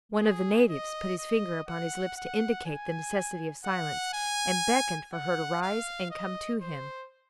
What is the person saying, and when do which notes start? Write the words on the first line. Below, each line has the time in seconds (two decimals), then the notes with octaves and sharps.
One of the natives put his finger upon his lips to indicate the necessity of silence, and beckoned for her to rise and come to him.
0.19 G#4
0.69 D#5
1.18 D#5
1.68 F#5
2.17 F#5
2.66 G#5
3.64 F#5
4.13 G#5
5.13 F#5
5.62 F5
6.11 D#5
6.61 C5